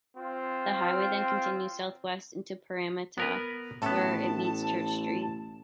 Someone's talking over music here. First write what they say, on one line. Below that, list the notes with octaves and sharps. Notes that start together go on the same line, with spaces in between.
The highway then continues south-west into Parramatta where it meets Church Street.
C4 F4
B3 A#4 B4
A1 A2 B3 A5